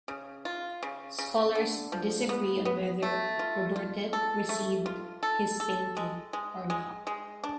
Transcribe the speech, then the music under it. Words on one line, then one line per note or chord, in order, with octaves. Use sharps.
Scholars disagree on whether Robertet received his painting or not.
C#3
F4
C#3
C#3
D3
F3
B3
B3
A3
F4
F4
A4
A3
F4
A4
A4
G#3
G#3
G#3
G#3
D4